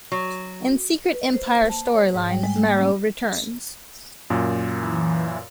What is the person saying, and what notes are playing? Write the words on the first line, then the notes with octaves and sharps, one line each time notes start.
In Secret Empire storyline, Marrow returns.
F#3
B4
C5
A#3
A5
C#5
G#2
G3
G#3
A#3
C#4
F#2 A#2
E3